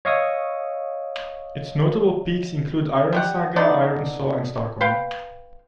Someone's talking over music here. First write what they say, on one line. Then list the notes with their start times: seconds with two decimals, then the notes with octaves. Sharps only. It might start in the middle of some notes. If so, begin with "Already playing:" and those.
Its notable peaks include "Irensaga" "Iron Saw" and "Starkhorn".
0.05 C#5 D#5 F5 C#6 D#6 E6
3.13 G3 G4 F#5
3.56 D3 B3 D#4 D5
4.81 B4 F5 G5